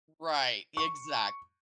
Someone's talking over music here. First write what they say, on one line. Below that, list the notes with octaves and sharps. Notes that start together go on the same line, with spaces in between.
Right, exact
C#6